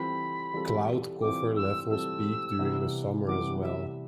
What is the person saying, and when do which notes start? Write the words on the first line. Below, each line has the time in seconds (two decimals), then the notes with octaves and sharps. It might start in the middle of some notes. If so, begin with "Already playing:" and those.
Cloud cover levels peak during the summer as well.
Already playing: E3 G3 C4 F4 A4 B5
0.54 E3 G3 C4 F4 A4
1.21 E3 G3 C4 F4 A4 D6
1.56 E6
1.90 E3 G3 C4 F4 A4 E6
2.59 C3 E3 G3 B3
3.27 C3 E3 G3 B3 D6
3.62 E5